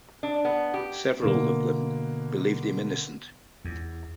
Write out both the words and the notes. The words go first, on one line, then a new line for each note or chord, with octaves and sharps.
Several of them believed him innocent.
D4
B3
G4
B2 D3 A#3
E2